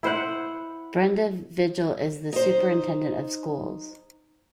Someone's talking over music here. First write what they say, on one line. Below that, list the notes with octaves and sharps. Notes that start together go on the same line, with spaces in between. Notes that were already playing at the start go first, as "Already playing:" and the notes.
Brenda Vigil is the Superintendent of Schools.
E4 C5 F#5
D#4 C5